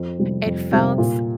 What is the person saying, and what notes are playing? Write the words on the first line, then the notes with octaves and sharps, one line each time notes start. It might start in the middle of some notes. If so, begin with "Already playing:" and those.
it felt
Already playing: F2
C3 G3
F2
C3 G3
A#2